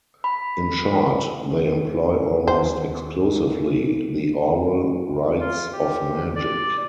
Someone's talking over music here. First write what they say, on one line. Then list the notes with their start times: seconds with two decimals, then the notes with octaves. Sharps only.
In short, they employ almost exclusively the oral rites of magic.
0.24 B5
2.48 D#2 C5
5.40 F4
5.73 G4
6.36 D5